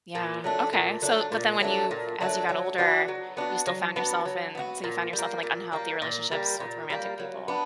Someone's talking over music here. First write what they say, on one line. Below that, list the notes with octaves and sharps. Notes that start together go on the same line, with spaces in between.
Yeah, okay, so but then when you as you got older, you still found yourself in so you found yourself in, like, unhealthy relationships with romantic people
A#2
F#3 A3 D4
A#2
F#3 A3 D4
A#2
F#3 A3 D4
A#2
F#3 A3 D4
F#3
B3 D4 F#4
F#3
B3 D4 F#4
F#3
B3 D4 F#4
F#3
B3 D4 F#4
A#2
G3
A#3
A#2
G3 A#3
A#2
G3 A#3
A#2
G3 A#3
F#3
B3 D4